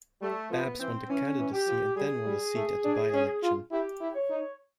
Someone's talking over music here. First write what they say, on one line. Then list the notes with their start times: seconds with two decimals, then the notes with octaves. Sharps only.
Abse won the candidacy and then won the seat at the by-election.
0.21 G3 A3
0.50 F3 B3
0.80 E3 C4
1.09 E3 C#4
1.38 E3
1.53 G4
1.67 F3
1.96 G3 G#4
2.25 G3
2.55 A3
2.84 D4
3.13 C#4
3.43 F4
3.71 E4 G4
4.00 E4
4.14 C#5
4.30 D#4